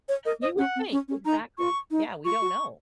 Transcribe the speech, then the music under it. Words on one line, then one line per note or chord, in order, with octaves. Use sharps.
You would think. Exactly. Yeah. We don't know.
C#5
A#4 D#5
C5 D#5
C#4 F#5
C4
C#4
C#4
D#4 A#5
F4 C#6
D#4
F4 C#6
F#4